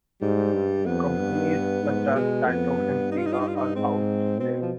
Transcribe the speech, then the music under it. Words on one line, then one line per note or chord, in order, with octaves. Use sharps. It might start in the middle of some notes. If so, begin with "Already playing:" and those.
Companies such as Taito and Sega are housed there.
G#2 G3
G2
F2 B3
G2
G#2
B2 G#3
F2 B3
G2
D#4
F4
D#4
F4
D#4
F4
D#4
G#2 C4
B2 C4
F3